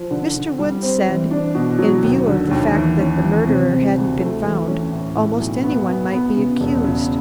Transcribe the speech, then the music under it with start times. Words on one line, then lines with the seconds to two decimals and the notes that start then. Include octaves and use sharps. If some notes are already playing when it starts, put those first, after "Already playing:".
Mr. Woods said, in view of the fact that the murderer hadn't been found, almost any one might be accused.
Already playing: F3
0.10 D3
0.35 D3
0.59 G3
0.82 C4
1.07 E3
1.31 D4
1.54 B2
1.79 F#3
2.03 D#2
2.27 D3
2.51 D#2
2.75 E3
3.00 C#4
3.24 E3
3.47 C3
3.71 C3
3.96 D2
4.20 A3
4.43 E3
4.68 C#4
4.92 A2
5.16 A2
5.40 B1
5.64 B3
5.89 B3
6.12 B3
6.36 C#3
6.60 E1
6.84 C#3